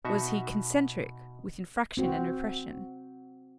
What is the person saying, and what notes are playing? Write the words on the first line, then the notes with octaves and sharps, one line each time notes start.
Was he concentric with infraction and repression?
B2 D#4 F#4 E5
C4 F#4